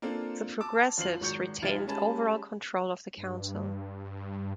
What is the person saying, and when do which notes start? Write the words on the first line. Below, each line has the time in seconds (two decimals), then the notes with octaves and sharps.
The Progressives retained overall control of the council.
0.02 A#3 C4 D4 F4 A4
0.61 A5 D6 E6
0.97 F#2 F3 F4 C5 C7 F#7
1.21 G#1 F#3 C#6 G6 C#7
1.62 B1 F3 G3 E5 G#6 A6
1.87 G3 G#3 C#4 G#5 A5 B5
3.17 G2